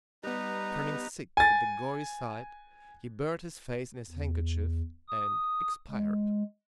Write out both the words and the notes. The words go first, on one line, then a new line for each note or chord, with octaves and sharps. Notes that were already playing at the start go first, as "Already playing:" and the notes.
Turning sick at the gory sight, he buried his face in his handkerchief and expired.
G3 B3 D#4 B4 A#5
G#5 A6
E2
D#6
G#3